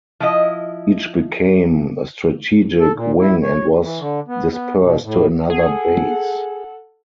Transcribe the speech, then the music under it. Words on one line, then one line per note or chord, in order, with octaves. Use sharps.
Each became a strategic wing and was dispersed to another base.
F3 E4 D#5
A4
A#2
E4
C#5
E3
D3
B3
B3
B2
A2
G#4 A4 F#5